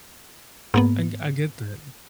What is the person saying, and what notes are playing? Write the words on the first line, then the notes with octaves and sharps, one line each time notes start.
I I get that.
G#2 A#3 B3